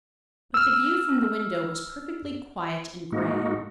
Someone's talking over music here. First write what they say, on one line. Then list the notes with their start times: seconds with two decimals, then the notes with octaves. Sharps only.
But the view from the window was perfectly quiet and grey.
0.54 E6 F6
3.12 A2 G#3 A#3 D#4 F#4